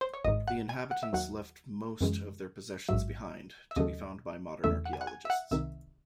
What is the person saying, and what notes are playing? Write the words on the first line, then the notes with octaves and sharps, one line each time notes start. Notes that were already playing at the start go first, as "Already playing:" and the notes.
The inhabitants left most of their possessions behind, to be found by modern archaeologists.
C5
C#5
G#1 G#2 D#3 D#5
F#5
G#5
F#5
E5
D#2 D#3 F#3 F#5
F#2 C#3 E3 G#3
A1 G#2 F#3 E5
E5
D#2 C#3 F#3 A3 D#5
E2 C#3 E3 A3 E5
F#5
G#5
F#5
G#5
E5
F#5
C2 C3 D#3 E5